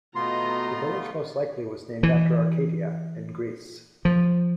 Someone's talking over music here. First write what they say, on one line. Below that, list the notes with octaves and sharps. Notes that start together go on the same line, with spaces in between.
The village most likely was named after Arcadia, in Greece.
B2 A3 B3 F4 D#5 A#5 C6
E3
F3